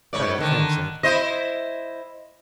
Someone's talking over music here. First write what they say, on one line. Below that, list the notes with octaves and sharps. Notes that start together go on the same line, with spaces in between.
"Better, thanks, Ed."
G#2 C#5 D5
D3 D#3
E4 C5 D#5